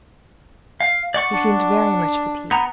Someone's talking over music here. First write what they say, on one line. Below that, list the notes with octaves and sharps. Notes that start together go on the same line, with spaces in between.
He seemed very much fatigued.
F5
D5 F#5 C#6
D4
B3 A#5